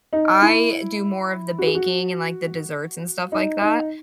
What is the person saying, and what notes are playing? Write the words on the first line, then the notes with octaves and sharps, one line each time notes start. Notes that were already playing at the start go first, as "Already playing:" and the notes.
I do more of the baking, and, like, the desserts, and stuff like that.
D#4
E4
F#4
G#4
F#4
D#4
D#4